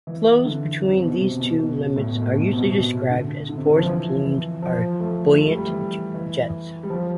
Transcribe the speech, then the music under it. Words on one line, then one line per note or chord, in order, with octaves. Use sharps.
Flows between these two limits are usually described as forced plumes or buoyant jets.
E3
E3
D3
C3
C3
B2
C3
B2
B2
A2
B2
A2
B2
C3
B2
B2
D3
D3
C3
D3
F3
E3
E3
F3
A3
A3
G3
G3
E3
E3
G3
F3